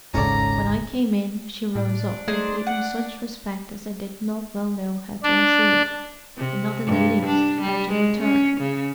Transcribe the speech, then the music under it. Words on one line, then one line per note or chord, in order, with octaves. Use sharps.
When I came in, she rose up, and paid me such respect as I did not well know how to receive, and not in the least how to return.
D#1 G#1 G#2 C#3 C#4 A4 D5 A#5
A2 D4 D5
A3 D#4 G#4 C5
F#5
D4
C3
G2
D4
G3
G#3
C#4
C#3